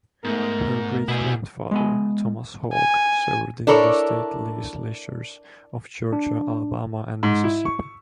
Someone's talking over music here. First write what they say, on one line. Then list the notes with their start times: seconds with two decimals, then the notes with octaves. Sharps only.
Her great-grandfather, Thomas Hogg, served in the state legislatures of Georgia, Alabama, and Mississippi.
0.25 G#2 A3 B3 A#4
1.08 B2 E4 G#4
1.71 G#3 B3 G#5
2.73 G#5
3.67 D4 E4 A4 A#4 C#5
6.13 D4
7.23 G#2
7.44 E4
7.65 C#6